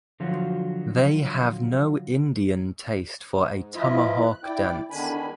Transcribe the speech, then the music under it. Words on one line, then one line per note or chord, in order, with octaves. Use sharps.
They have no Indian taste for a tomahawk-dance.
D3 F3 F#3 F4 F#4
G#2
E3 F3 E4 F4 D#5 E5
F#6
E4 D5 G5 D6
E2 D3 D#3 D4 G#5 B5